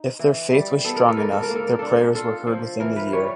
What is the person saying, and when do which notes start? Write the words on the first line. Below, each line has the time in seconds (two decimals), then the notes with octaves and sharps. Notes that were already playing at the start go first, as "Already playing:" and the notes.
If their faith was strong enough, their prayers were heard within the year.
Already playing: D#4
0.19 E3
0.52 G3
0.84 B3 A4
0.96 A#4
1.08 A4
1.17 G#2 A#4
1.32 A4
1.43 A#4
1.50 A#3
1.55 A4
1.67 A#4
1.79 D4 A4
2.15 F4 A4
2.47 F3
2.80 E3 A#4
2.96 B4
3.12 G3 C#5